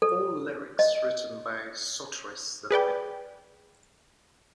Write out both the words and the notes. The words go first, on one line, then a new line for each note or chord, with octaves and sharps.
All lyrics written by Sotiris the Fifth.
A4
D#5
G#4 B4 D5 G5